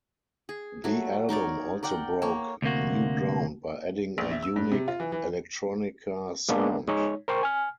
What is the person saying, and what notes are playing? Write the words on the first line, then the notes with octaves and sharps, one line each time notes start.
The album also broke new ground by adding a unique electronica sound.
G#4
F#3 A3
D#4 A#4 C#5 D5
A#4 D5 F#5 G5
A#3 C#5
D2 C3 A#3 F#4
A#1
E5
E6
G2
C3
F4
E3
E3
G#3 A#3 B3 D4
G#3 D#4 C#5
A#4 C5 G5 C#6
G#5 F6